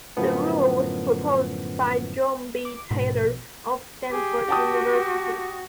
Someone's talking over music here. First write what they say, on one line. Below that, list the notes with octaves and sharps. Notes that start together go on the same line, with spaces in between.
The rule was proposed by John B. Taylor of Stanford University.
F#2 A2 D3 F3 B3
D6
A#1 G#2 B2
G4 G#4
F#4 G5 A5 D#6